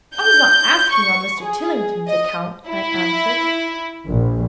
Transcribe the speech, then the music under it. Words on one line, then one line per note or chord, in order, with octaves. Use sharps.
'I was not asking on Mr. Tillington's account,' I answered.
G6
C#6
G#4
D#5
E4
A#1